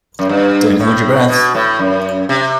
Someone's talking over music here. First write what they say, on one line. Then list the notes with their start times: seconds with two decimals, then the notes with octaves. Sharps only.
Don't hold your breath.
0.19 F#2
0.29 G2
0.80 A2
1.29 B2
1.55 A2
1.79 F#2
2.29 C3